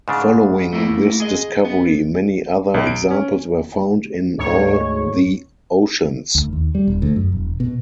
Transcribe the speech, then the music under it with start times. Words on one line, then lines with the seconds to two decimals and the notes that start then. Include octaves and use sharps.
Following this discovery many other examples were found in all the oceans.
0.08 G#2 C#3 D4
0.73 A3 A#3 E4
1.20 G#4 D#5
1.65 B3
2.74 B1
2.87 D7
3.11 C#4
4.38 D2 G#2 C#5
6.35 D2
6.53 D#2
6.75 G3
6.88 E1
7.02 D2
7.16 F#2
7.32 E1
7.60 B2